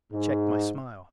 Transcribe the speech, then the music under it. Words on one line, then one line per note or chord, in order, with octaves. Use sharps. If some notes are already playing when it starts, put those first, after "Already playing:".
I checked my smile.
G#2